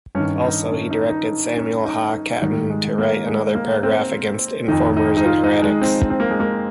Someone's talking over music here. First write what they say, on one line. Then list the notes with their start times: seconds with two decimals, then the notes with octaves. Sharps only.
Also, he directed Samuel ha-Katan to write another paragraph against informers and heretics.
0.15 G2 C#4
0.19 D#3
0.44 D#4
0.72 C#4
0.91 D#4
1.09 D#4
1.57 C#4
1.85 D#4
2.41 G#2 D#3 G3
2.70 G#3
2.98 A#3
3.27 G#3
3.55 A#3
3.83 C4
4.68 F2 D#3 D#4
4.97 D#4
5.17 D#4
5.25 F4
5.44 D#4
5.62 G#3
5.82 C4
6.10 C4
6.20 A#3
6.30 G#3
6.40 A#3